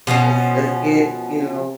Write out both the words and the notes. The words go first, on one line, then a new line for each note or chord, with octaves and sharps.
let's let's get, you know,
B2 F3 A#3 C#4